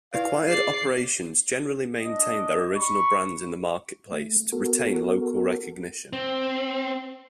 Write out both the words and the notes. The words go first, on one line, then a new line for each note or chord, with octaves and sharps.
Acquired operations generally maintained their original brands in the marketplace to retain local recognition.
E4 B4 D5 F5
G#4 D5 C7
D4 D#5
B5 C#6
A3
B3 F#4 A4 A#4
C4